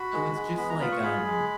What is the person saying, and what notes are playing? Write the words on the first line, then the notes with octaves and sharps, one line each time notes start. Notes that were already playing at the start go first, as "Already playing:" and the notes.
So it's just, like, um
Already playing: F#4 B5
G#3
G#3
B3 B5
A#5
F4 B5
C#6
G#4 B5
G#3